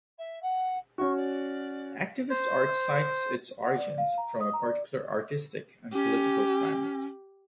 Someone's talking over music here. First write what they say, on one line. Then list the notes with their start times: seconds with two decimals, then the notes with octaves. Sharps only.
Activist art cites its origins from a particular artistic and political climate.
0.18 E5
0.42 F#5
0.98 C#4 F#4 C#6
1.17 D5
2.30 C5
3.63 F#5
3.77 D5
3.98 F5
4.18 A#5
4.41 D#6
4.53 A#5
4.66 D5
5.92 C#4 G4